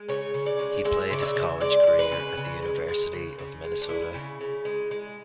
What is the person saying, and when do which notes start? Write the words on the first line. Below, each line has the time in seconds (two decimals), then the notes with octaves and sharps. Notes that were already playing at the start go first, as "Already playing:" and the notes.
He played his college career at the University of Minnesota.
Already playing: G#3
0.09 C#3 C#5
0.34 C#3
0.46 D5
0.59 G#3
0.85 G#3 E5
1.11 C#3 D5
1.23 E5
1.36 C#3
1.61 G#3 D5
1.87 G#3
1.99 B4
2.12 C#3
2.37 C#3
2.62 G#3
2.88 G#3
3.13 C#3
3.39 C#3
3.64 G#3
3.82 D4
3.89 G#3 E4
4.15 C#3
4.41 C#3
4.65 G#3
4.91 G#3